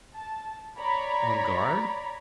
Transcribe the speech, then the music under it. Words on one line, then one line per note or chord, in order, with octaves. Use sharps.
"On guard?"
A5
C#5 D5 A#5 B5